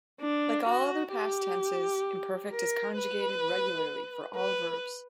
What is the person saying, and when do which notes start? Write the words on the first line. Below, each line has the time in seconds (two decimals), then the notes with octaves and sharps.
Like all other past tenses, imperfect is conjugated regularly for all verbs.
0.20 D4
0.66 F#4
1.12 G4
2.51 A#4
2.97 B4
4.36 B4